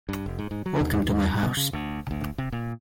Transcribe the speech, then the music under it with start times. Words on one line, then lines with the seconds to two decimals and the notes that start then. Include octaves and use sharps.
Welcome to my house.
0.09 G2
0.26 F1
0.39 G#2
0.51 G#2
0.66 F#3
0.81 D#2
1.43 B2
1.57 C#3
1.73 D2
2.11 D2
2.38 C3
2.52 A#2